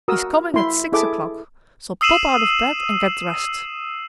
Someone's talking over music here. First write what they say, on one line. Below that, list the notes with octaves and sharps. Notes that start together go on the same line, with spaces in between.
He is coming at six o'clock; so pop out of bed and get dressed.
F#4 A#4 D#6 E6
E4 C6
E4 G#4 A4 E5 D6
D#6 E6 C7 D#7 E7 F#7